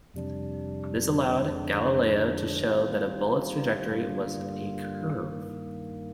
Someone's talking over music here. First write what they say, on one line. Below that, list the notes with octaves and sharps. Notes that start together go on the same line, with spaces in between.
This allowed Galileo to show that a bullet's trajectory was a curve.
F2 C3 G3 D4
F2 D3 G#3 D4
D#3 G3 C4 F4
G2 D3 G3 A#3 F4
G2 D#3 A#3